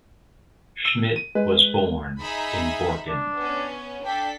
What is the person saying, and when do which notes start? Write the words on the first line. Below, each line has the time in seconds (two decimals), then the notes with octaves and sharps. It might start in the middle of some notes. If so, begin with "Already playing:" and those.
Schmidt was born in Borken.
0.85 E6
1.16 D#7
1.35 G#3 B4
2.20 D#4 G#4 E5 B5
3.08 D4
3.37 B3 C#4
4.05 D4 A4 G5 B6